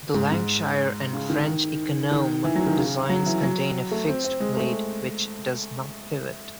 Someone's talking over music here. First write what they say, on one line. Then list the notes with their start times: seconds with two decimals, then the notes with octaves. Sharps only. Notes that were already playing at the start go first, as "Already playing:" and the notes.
The Lancashire and French "Econome" designs contain a fixed blade which does not pivot.
0.15 G#2
0.32 G#2
1.13 C#3
1.30 D#3
2.12 D#3
2.44 E3
2.55 F#3
2.67 D#3
2.77 C#3
3.09 F#3
3.26 E3
3.43 F#3
3.91 A3
4.08 C4
4.24 C4
4.40 G#3
4.57 A3